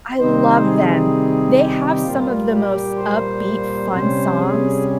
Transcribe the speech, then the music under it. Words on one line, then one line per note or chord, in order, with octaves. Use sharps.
I love them. They have some of the most upbeat fun songs,
C3 D#3 G3 C4 D#4 C5
G#4
G4
A#2 G3 A#3 F4
G4
C5
C3 G3 C#4 C5
G#4